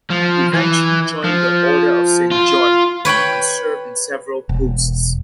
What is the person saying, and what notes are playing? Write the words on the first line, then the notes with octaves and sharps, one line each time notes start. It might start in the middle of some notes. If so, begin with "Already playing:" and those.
He eventually joined the Order of Saint John, and served in several posts.
F3
E3
F3
F4
B4 C#5 G5 B5
E1